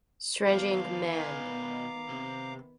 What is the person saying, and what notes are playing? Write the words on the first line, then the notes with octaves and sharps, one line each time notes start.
Strange in command.
B1 D#3 F3 B3 F5 A#5 D6
B2 G#5
C3